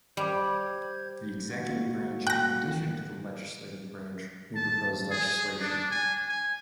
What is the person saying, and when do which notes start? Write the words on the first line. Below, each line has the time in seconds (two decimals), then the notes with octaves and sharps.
The executive branch, in addition to the legislative branch, may propose legislation.
0.17 G3 C5 G6 G#6
1.50 A#3 F#4 F#5
2.27 G5 F#6 A#6
4.55 A5
5.10 G#4
5.60 D4
5.91 G#5
6.28 G#5